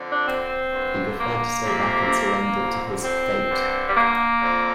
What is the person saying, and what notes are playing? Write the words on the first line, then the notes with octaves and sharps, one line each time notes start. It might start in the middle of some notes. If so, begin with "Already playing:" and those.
He preferred to stay back and surrendered to his 'fate'.
Already playing: F2 D3
D4
C4
G2 D3
A#3
F2 C3
F2 D3
C4
G2 D3
G3
A#3
F2 D3